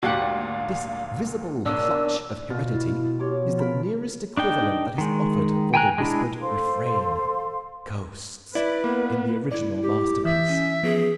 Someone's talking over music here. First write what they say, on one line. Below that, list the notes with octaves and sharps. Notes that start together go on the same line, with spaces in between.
This visible clutch of heredity is the nearest equivalent that is offered for the whispered refrain: "Ghosts," in the original masterpiece.
G#1 D2 A#2 F#4 G4 F5 F#5
B1 A#3 D4 E6
B2 F4
E4
G4 C#5 C6 D6
F3
F4 A#4 B5
D4 D#4 G5
D#3 G#3
G5 G#5 A#5 F#6
G#3 D4 E4
A4 C5 F5 C6
E4 B4 D5
A#3 B3
E4 D5
G4
E3 E5
C#4
F3 B3 G#4